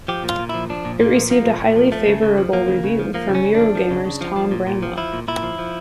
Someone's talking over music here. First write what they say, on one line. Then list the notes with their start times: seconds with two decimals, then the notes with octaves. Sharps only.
It received a highly favourable review from Eurogamer's Tom Bramwell.
0.08 F3 G4
0.24 A#2
0.29 F4
0.39 A#2
0.49 E4
0.54 F3
0.70 F3 D4
0.85 A#2
1.00 A#2 A#3
1.16 F3
1.30 F3 A#3
1.46 A#2
1.61 A#2
1.76 F3
1.92 F3 A3
2.07 C#3
2.22 C#3
2.38 F3
2.53 F3 A#3
2.68 C#3
2.84 C#3
2.99 F3
3.14 F3 A#3
3.30 C#3
3.35 C#4
3.45 C#3
3.55 D4
3.60 F3
3.75 F3
3.91 C#3
4.05 C#3
4.21 F3
4.36 F3
4.51 A#2
4.67 A#2
4.83 F3
4.97 F3 E4
5.13 A#2
5.28 A#2 E4
5.43 F3
5.59 F3